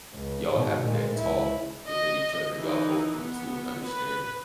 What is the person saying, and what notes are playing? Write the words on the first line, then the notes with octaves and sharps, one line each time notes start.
y'all having that talk within each other, y'all both coming to an understanding.
C#2
G#2 B2
A#2 G#3
C#2 E4
D#5
E3 D#4
B3
B4